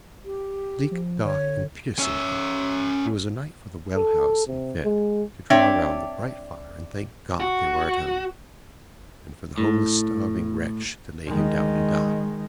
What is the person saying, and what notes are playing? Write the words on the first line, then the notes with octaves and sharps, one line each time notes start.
Bleak, dark, and piercing cold, it was a night for the well-housed and fed to draw round the bright fire and thank God they were at home; and for the homeless, starving wretch to lay him down and die.
G4
F3
D3 C#5
C#4 E5
A4
C3
G#3
C4 D4 C#5 D5 E5 G5
F#4
A2
D#3 G#3